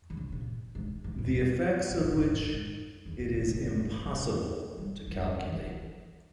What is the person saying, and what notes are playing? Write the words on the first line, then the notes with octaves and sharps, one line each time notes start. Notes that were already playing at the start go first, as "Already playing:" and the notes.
The effects of which it is impossible to calculate.
D#3
C#3
A#2
G#2
G#2
G#2
E2
G2
A#2
A#2
G#2
A#2
G#2
E2
G2
D#3
C#3
D#3
G3
E3
G3
G3
G#3
G3
G3
E3
E3